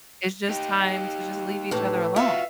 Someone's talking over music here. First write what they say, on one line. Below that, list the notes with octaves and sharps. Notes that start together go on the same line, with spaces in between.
it's just time to just leave each other alone.
D#4 G4
A2 E3
F4 F#4 E5 F5